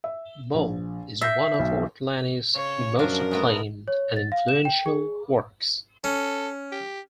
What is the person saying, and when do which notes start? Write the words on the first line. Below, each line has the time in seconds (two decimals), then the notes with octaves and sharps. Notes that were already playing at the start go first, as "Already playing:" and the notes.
"More" is one of Ortolani's most acclaimed and influential works.
0.04 E5
0.54 A#1
1.21 E5 G6 A#6 C7
1.59 B1
2.55 C#3 C#5
2.99 F#2 F3 C#4 D4 A#4
3.31 G#3 A3 B3
3.88 C#5
4.16 A6
4.32 F5
4.48 E7
4.65 G5
4.86 G#4
6.04 C#4 A4
6.72 G4